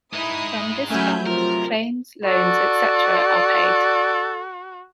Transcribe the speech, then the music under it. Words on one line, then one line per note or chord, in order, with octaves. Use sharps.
From this fund claims, loans, etc., are paid.
G#3 D#4 E4 D#6
F#3 A3 C#4 G#5 B5 G6
C3 F3 F4 A#4
F#4 A4 D5